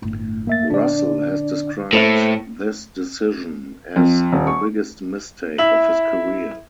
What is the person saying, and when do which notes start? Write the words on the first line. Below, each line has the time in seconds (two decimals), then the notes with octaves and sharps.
Russell has described this decision as the biggest mistake of his career.
0.02 G1 A2
0.47 F#2 A#3 E5 A6
0.70 A#2 D3 D4 D5
1.93 A2 A#3 A4 C5 E5
3.96 F2
4.33 D#1
4.47 C#6
5.58 E4 E5 F#7